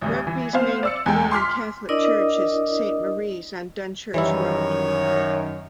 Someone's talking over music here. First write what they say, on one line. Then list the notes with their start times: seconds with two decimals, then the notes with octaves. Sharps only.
Rugby's main Roman Catholic church is Saint Maries on Dunchurch Road.
0.01 A1 D2 G3
0.27 E3
0.53 B3 C4 C5 F5
0.83 D5 E6 C#7
1.06 E2 G#3 G5
1.31 C6 D6 F6 B6
1.89 D4 E4 A#4 D5 D#5 D#6
4.14 F#2 D#3 E3 G3 E4 C#5